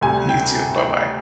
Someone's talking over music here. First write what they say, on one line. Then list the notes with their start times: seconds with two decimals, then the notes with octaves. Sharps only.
You too, buh-bye.
0.01 D2 C3 G3 G#5
0.29 G5